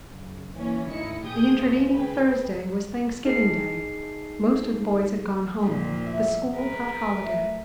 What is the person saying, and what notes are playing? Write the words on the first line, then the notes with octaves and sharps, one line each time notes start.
The intervening Thursday was Thanksgiving Day; most of the boys had gone home; the school had holiday.
F#2 C#3
E3 A#3 C#4
G#1 D2 D#4 E4 C#7
A#1 G4 G#4 D#6 G6
C#2 F3
G#4 B4 G5
D#4 G#4 C7
A#2 F3 G3 D#4
E4
G#3 A#4 B4
A3